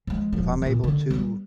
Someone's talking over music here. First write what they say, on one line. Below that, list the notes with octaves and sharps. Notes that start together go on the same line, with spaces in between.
If I'm able to
F3 G#3
D#1 F3
A#2 D#3
D3 E4
G3 B3